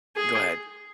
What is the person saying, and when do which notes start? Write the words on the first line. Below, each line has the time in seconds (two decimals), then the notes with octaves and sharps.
go ahead.
0.16 G#4